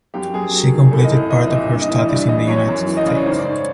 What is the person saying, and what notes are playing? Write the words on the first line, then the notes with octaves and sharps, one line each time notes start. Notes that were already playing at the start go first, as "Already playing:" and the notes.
She completed part of her studies in the United States.
F#2 G4
F#2 G#4
F#3
D#3
C2 A4
D#5
C2
F3 D#5
E5
A#2 D#5
E5
D#5
G2 E5
D#5
E3 E5
D#5
G2 D5
E3 D#5
F#2 C#5
F#2
E3
D#5
C#3 D5
C#5
G#2 C5
D5
G#2
C#5